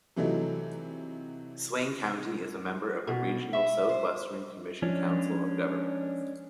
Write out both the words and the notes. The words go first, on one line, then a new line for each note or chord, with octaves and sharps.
Swain County is a member of the regional Southwestern Commission council of governments.
C3 E3 F#3 A3 D#4 E4
B2
E5
C5
F3 G#3 C#4 D4